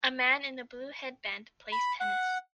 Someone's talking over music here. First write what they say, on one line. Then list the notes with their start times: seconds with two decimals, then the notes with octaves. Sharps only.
A man in a blue headband plays tennis.
1.72 B5
2.00 F#5